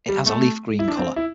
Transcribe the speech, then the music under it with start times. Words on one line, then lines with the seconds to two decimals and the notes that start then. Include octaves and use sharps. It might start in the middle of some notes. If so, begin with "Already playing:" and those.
It has a leaf green color.
0.08 G3
0.26 A3
0.79 E4
0.88 D4
0.97 C4
1.16 E4